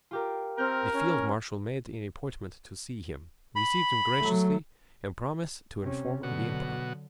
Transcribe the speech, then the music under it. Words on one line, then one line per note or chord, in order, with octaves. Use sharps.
The field marshal made an appointment to see him, received him graciously, and promised to inform the Emperor.
F4 G4 A#4
C4 A#4 F6 G6
C#4
B5
F#3 A3
C3 C#4
B2 D3 F#3 F#4